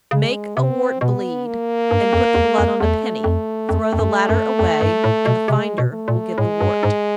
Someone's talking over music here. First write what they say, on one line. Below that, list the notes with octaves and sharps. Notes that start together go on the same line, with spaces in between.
Make a wart bleed, and put the blood on a penny, throw the latter away, and the finder will get the wart.
C#3 G#3
C3 C4
B2 B3
A#3
G2
F2
E2
F2
E2 A3
F2
F2
F2
F#2
F#2
F2
G2
A2
B2
C3 G#3
B2
A3
A#2
A2 G#3
G2
G#2